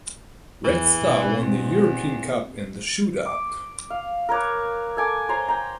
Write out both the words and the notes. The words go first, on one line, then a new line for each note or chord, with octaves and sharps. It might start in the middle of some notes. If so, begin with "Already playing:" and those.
Red Star won the European Cup in the shootout.
E2 E3
B2 C4
E2
D6
F5
A#4 B4 C#5 D6
A4 G#5 D6
C5 C#5 A#5 C6
G5 A#5